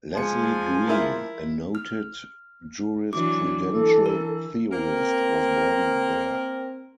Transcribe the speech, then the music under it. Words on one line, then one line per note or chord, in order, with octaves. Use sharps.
Leslie Green, a noted jurisprudential theorist was born there.
F3 G#3 G#5 C#7
E4 A#4
F6
E3 F#3 D4 D6
E3 A4
A#4
A#3 C4 A#4